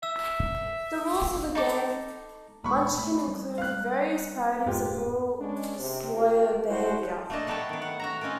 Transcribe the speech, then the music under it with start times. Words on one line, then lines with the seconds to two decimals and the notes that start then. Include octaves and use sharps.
The rules of the game "Munchkin" include various parodies of rules lawyer behavior.
0.03 E5 E6
1.55 D#4 A4 D6
2.64 D#1 G#3 B3 B5 C#6
2.98 A3 B5
3.28 G3
3.58 F5 F#6
4.66 F2 G#2 G#3 F4 G4
5.38 G#3 C#4 D4
5.78 C3
6.13 A#3 F4 G4 A#4
6.69 E4 F#4 C5
7.30 A3 A#3 D4 A4 D#5 A5
7.47 F#3 B3 A4 C#5 G5 A5
7.69 D#3 B3
7.82 F#5
8.00 F#4 E5 A#5
8.21 C4 C#4 D#4 F4 A#4